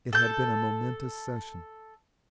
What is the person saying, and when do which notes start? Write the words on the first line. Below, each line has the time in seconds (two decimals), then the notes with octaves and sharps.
It had been a momentous session.
0.13 A4 G6